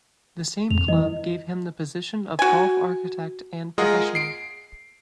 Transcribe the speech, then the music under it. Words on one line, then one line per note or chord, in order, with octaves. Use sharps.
The same club gave him the position of Golf Architect and Professional.
F2 F7
E3 E4 D#5
F#4 G#5
G#3 F4 G#4 A#4 D#5 F#5
C7 D7